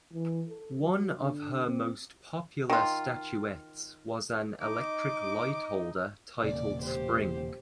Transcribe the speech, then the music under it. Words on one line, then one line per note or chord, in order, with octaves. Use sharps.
One of her most popular statuettes was an electric light holder titled "Spring".
E3
A4
F#3
D3
C4
D#3 F4
D#4 D#5 D6
E1 A#2 C#3 D5
G4 C5